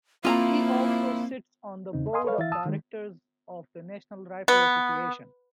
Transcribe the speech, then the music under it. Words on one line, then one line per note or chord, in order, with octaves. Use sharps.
He also sits on the Board of Directors of the National Rifle Association.
A#2 F3 A#3 C4 E4 F4 A#5
E2 C#3 C4 D#4
D#5 F5 G#5 C6 D#6
A4 B4 C#5 F5
E3 E4 E5 F5 A6
A5 D#6 E6
D#3 G#3
B3